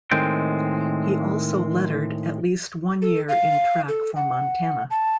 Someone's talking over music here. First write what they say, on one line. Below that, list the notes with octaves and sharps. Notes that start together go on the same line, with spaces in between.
He also lettered at least one year in track for Montana.
A2 D#3 G#3 C4 G5
A4
F5
A4
F#5
A5